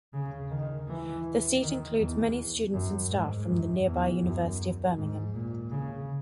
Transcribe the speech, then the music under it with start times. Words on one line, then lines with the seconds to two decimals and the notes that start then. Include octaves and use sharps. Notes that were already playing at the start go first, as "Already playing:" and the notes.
The seat includes many students and staff from the nearby University of Birmingham.
0.13 C#3
0.50 D#3
0.87 E3
1.62 D#3
1.99 E2
2.74 F#2
3.11 G#2
3.49 F#2
3.85 E2
4.22 F#2
4.97 G#2
5.34 A#2
5.71 C#3